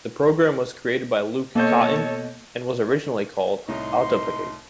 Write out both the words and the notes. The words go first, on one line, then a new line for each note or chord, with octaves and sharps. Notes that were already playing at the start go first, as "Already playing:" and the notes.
The program was created by Luc Cottyn, and was originally called "autopkg".
B2 A#3 A4 C#5 D#5 G6
C2 A2 D#4 C#5 C6